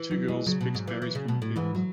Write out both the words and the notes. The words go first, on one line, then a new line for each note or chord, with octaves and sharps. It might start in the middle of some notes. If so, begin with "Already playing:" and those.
Two girls picks berries from a field.
Already playing: E3
F#3
G#3
C#3 F#3
B2
G#2
E3
E3
C#3
B2
A2
G#2 E3
F#3